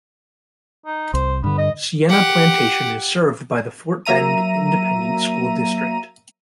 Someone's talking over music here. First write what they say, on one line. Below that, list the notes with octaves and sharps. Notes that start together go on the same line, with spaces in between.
Sienna Plantation is served by the Fort Bend Independent School District.
D#4
C2 C5
G2 D3 B3
D#5
G4 F#5
F#3 A#3 E5 A#5 D#7